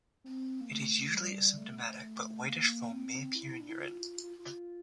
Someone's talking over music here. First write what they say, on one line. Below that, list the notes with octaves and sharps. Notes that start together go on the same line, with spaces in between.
It is usually asymptomatic but whitish foam may appear in urine.
C4
A#3
A3
G3
A3
A3
A#3
C4
E4
D4
E4
F4
F4
F4